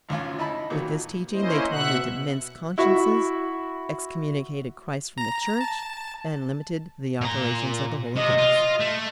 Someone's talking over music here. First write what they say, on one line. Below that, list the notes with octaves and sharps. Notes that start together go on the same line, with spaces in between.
With this teaching they tormented men's consciences, excommunicated Christ from the Church, and limited the operations of the Holy Ghost.
G#1 D2 C#4 F4
D#4 E4 A5 B5
A#2 D#3 F#3
A#3 C#4 E4 C5 D#5
B2 E5 F#5 F#6
E4 F#4 E5
A#5
A5
A#2 A#5
C3 D#5
F4
A3